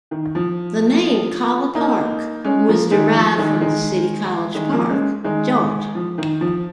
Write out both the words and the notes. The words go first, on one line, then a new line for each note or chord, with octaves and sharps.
The name "Collipark" was derived from the city College Park, Georgia.
D#3
F3
A#3 D#4
G#3 C#4
F3 A#3
D#3 G#3
F3
D#3 G#3
D#3 G#3
D#3 G#3
F3 A#3
G#3 C#4
D#3 G#3
F3
D#3
F3